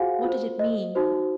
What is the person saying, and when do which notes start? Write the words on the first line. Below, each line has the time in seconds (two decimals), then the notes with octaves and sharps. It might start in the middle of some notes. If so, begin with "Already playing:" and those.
What did it mean?
Already playing: F4 F#4 G#4 C5 F5 F#5 G#5
0.24 F4 C5
0.59 D#5
0.95 D#4 F#4 C5